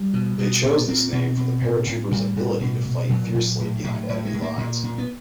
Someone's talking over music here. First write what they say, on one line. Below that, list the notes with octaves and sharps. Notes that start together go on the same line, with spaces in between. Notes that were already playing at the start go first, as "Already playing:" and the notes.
They chose this name for the paratroopers' ability to fight fiercely behind enemy lines.
Already playing: G3
B2
B2
A#2 B3
A#2 C4
B2 C4
B2
A2
A2
A2 G3
A2
B2
B2
A#2 F#3
A#2
A2
A2
A2
G#3
A2
A#3
A#2
A#2
B3